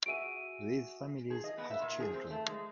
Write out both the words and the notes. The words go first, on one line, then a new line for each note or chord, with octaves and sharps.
These families have children.
F#4 G#4 E5 D7 D#7
G#4
D#5
B3
E5
A#2
G#4
C4
A3
G#3